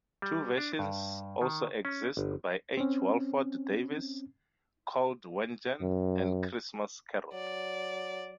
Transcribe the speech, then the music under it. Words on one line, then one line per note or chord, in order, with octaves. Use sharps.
Two versions also exist by H. Walford Davies, called "Wengen", and "Christmas carol".
G3
D4
G2
D#3
C#4
G1
C4 C#4
F#2
F#3 D5